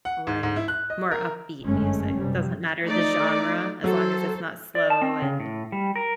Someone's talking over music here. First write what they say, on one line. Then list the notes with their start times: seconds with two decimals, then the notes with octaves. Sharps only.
Right. More upbeat music, doesn't matter the genre as long as it's not slow and
0.05 F#5
0.27 G#2
0.43 G#2
0.56 E4
0.68 F#6
0.90 D#5
1.11 A#4
1.63 G1 F#2 G#3 A3 C#4
2.16 F#2 C3 G3
2.84 A3 D#4 D5
3.84 F#3 A4 C5
4.75 D5
4.90 A5
5.02 C4
5.22 C#3
5.40 A2
5.72 G3
5.96 A#4